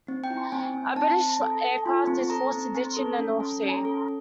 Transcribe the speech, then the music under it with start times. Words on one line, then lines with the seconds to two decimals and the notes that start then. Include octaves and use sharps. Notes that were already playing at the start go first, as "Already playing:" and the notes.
A British aircraft is forced to ditch in the North Sea.
0.08 C4
0.24 G5
0.30 E4
0.52 C4 G#5
0.74 C4
0.96 C4 A5
1.19 C4
1.41 A4
1.63 A4
1.86 F4
2.07 C4
2.30 A4 A#5
2.52 C4
2.75 C4
2.97 A4
3.19 C#4
3.40 A4
3.63 C#4
3.85 A4